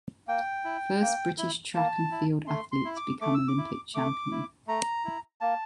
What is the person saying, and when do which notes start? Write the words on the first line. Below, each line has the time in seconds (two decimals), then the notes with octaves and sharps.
First British track and field athlete to become Olympic Champion.
0.28 A#3 G5
0.64 E4
1.02 A#3
1.38 E4
1.75 A#3 A5
2.11 E4
2.47 A3 C6
2.72 C6
2.85 E4
2.97 D6
3.21 A3 D6
3.34 E6
3.48 D6
3.58 E4
3.95 A3 D6
4.31 E4
4.67 A3 A#5
5.05 E4
5.41 A#3 A5